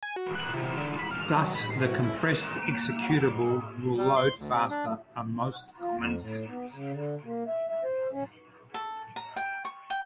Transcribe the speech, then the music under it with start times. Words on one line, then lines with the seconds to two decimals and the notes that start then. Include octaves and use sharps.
Thus the compressed executable will load faster on most common systems.
0.03 G#5
0.16 F#4
0.35 F#6
0.54 C3
0.78 D3
0.99 B5
1.11 F6
1.36 F#3
1.55 B5
1.70 C7
1.85 F#4
2.03 E4
2.63 A#3
3.98 G3
4.16 C6
4.39 D2
4.53 C3
4.70 D4
5.80 F4
5.96 F2
6.19 A2
6.48 B3
6.73 C#3
6.92 D3
7.25 A#3
7.47 E5
7.69 E5
7.84 C5
8.12 C#4
8.74 A4
9.16 A#5
9.36 G5
9.65 C#6
9.90 G5